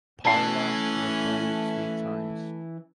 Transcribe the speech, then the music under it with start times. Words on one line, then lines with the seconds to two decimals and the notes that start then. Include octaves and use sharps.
Parla was married three times.
0.25 E3 A3 C#4 F#5 A5 C7